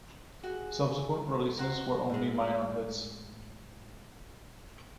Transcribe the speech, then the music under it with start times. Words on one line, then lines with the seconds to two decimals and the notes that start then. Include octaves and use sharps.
Subsequent releases were only minor hits.
0.43 F#4 G#4
1.23 A4
1.57 B2 C5 F#5 A#5
2.10 A2 G#3